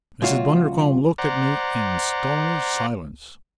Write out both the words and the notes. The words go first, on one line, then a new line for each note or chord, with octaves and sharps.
Mrs. Bundercombe looked at me in stony silence.
C#2 F#2 A#2 F4 F#4
C5 D5 F#5 A#5